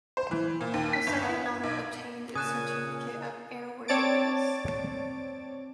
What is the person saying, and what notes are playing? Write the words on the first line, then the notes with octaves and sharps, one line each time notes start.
This second model obtained its certificate of airworthiness.
C5
E3
A#2
D#2
B6
G1
B3
G#6
B1
A#2 C#3 C#4 G#5 A5 D#6 F#6
C4 C#5 D5 A5 A6 D7